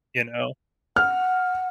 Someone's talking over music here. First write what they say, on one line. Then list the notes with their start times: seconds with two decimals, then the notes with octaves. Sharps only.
You know?
0.96 F#5 F6